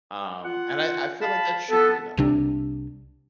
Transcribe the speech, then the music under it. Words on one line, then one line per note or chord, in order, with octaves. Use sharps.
Um, and I I feel like that should be enough.
F4 F#5
F5 A5 B5
B3 A4
C2 C3 D4